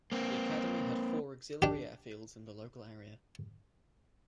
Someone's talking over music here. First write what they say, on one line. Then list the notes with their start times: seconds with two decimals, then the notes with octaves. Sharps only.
The Academy had four auxiliary airfields in the local area.
0.12 A#3 C4
1.62 D4 G4